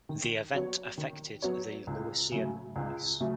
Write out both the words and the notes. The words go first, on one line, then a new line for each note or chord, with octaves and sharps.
The event affected the Lewisian gneiss.
D#3
F#3 B3 F#4 C#5
D#3
F#3 B3 F#4 C#5
C#2
C#3 F#3 A3
C#2
C#3 F#3 A3